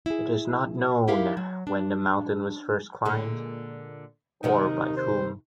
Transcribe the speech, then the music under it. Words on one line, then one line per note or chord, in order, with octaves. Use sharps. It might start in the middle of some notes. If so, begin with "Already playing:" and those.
It is not known when the mountain was first climbed, or by whom.
E4 G#4
D#4 E4 G4 A#4 F5
F#3
D4
A#2 D3 G#3
D#2 C3 D#3 D#4
C5